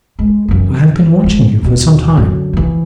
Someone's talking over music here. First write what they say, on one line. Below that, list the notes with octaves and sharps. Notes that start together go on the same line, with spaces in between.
"I have been watching you for some time."
G#3
F#2 E3
F3 G#3
D#2 B2
F#2 D3
E3 F3